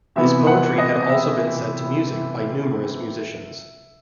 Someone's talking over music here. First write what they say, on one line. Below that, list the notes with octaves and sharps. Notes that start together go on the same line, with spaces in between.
His poetry had also been set to music by numerous musicians.
C3 E3 B3 E5
F#5
D#5
E5